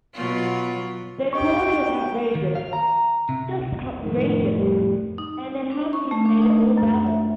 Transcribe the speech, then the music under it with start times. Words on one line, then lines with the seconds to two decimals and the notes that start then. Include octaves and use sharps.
Their chords were outrageous, just outrageous, and their harmonies made it all valid.
0.14 B2 F#3 F4
1.33 D4 G4 D#5 G5 C#6
1.68 F#4
2.35 D#3
2.55 F5
2.73 A#5
3.29 C3
4.04 F2 A2 D#3
4.58 G3
5.18 D#4
5.71 D4
5.93 C#6
6.11 A3
6.25 D4
6.41 D#4
6.78 F#2
7.07 E5